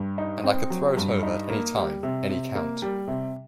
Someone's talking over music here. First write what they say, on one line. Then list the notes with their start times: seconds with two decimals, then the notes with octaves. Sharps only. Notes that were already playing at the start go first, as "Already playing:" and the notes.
And I could throw it over at any time, any count.
Already playing: G2
0.18 D#4
0.44 C4
0.70 F#3
0.97 G2
1.23 D#4
1.50 A#3
1.76 G3
2.03 C3
2.29 C3
2.55 A#3
2.82 G3
3.08 C3